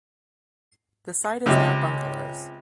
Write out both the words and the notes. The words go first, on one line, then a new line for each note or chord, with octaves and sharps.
The site is now bungalows.
C#2 C3